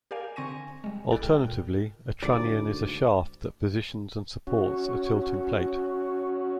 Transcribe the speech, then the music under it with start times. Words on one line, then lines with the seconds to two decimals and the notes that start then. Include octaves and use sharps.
Alternatively, a trunnion is a shaft that positions and supports a tilting plate.
0.11 G4 A#4 D5 F5 G#5
0.36 D3 C4 G#5 C#6 A#6 D#7
0.84 G3 G#3
1.10 G1 E4 G#4 A4 D5 F#6
1.23 G5 F6
1.44 A#2
2.23 D2 G#2 D3 D5
4.47 C#4 F#4